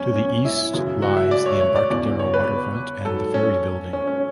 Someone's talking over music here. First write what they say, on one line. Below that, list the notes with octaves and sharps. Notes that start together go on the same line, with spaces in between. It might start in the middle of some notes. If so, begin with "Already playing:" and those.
To the east lies the Embarcadero waterfront and the Ferry Building.
Already playing: E2 F#3 C#4
C#4
E4
F#2 C#3 E3
F#4
E5
D5
C#5
C#5
D5
E2 C#3 E3 D5
C#5
B4
G#2 F#3 A4
C#4
C#4
C#4